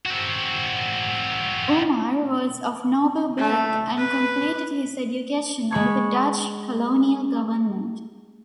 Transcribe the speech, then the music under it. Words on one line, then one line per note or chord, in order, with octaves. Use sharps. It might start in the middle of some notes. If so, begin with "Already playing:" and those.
Umar was of noble birth and completed his education under the Dutch Colonial Government.
C4 F#4
A3
B4
G#3 B5 C#6 G#6